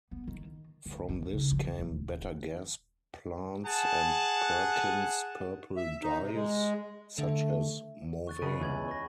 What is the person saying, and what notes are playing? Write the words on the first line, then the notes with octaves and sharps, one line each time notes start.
From this came better gas plants and Perkin's purple dyes, such as Mauveine.
B3
D#3
D2
D#3
C#3
F3
D#1
G#4 F#5 A5
E5
D#4
C3
G#3
D3 A3
C#6 F#6 A6
C#2 C#3 B5 D#7
E2 B5 G#6 F#7
C#6 A#6